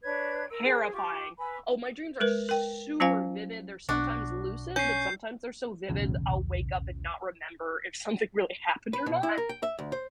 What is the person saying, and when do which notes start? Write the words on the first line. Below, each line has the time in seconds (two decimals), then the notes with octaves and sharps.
terrifying. Oh, my dreams are super vivid they're sometimes lucid, but sometimes they're so vivid, I'll wake up and not remember if something really happened or not.
0.03 D4 B4 C#5 G#6
0.48 A#4 E6
0.62 G#4 A#4 C5
0.92 F4 G4 C#6 D6
1.38 B4 G#5 B5 E6
2.20 G#3 A#4 B4
2.49 A#4 G5
3.00 F#3 C#4 F4 C5 F5 G#5
3.89 B1 D4 F#4
4.76 C#4 G6 C7
5.89 B1 E2 A2 C#3
8.93 B4
9.06 B2
9.23 E4
9.38 A#4
9.49 G5
9.63 E5
9.79 D2
9.92 C5